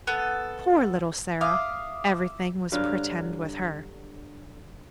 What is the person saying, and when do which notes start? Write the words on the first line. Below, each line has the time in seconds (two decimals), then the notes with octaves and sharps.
Poor little Sara! everything was "pretend" with her.
0.07 B3 A4
1.41 E5 F5 D6 D#6
2.72 G2 D3 F#3 F5